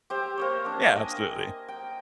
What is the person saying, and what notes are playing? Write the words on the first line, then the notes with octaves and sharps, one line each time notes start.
Yeah, absolutely.
G4 C5 E5
A#3 C5 C#5
A#3 D4
D#5 G#5
G5